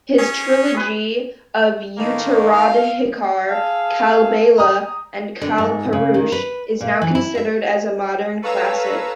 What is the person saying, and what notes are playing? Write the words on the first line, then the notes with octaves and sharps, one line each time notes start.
His trilogy of "Uttoradhikar", "Kalbela" and "Kalpurush" is now considered as a modern classic.
C#4 G#4
G#4 B4
A2 D#3 A#3
F5
G#4 F5 A5 E6
A#5 D#6
D3
G#2
C#3
D#3
B4
A#2
E3
E4
E5
A4 B4 C#5 F5 A#5 E6